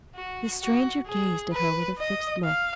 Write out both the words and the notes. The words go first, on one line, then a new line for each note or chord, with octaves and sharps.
The stranger gazed at her with a fixed look.
F#4
F#4
G#4
B4
D#5
F5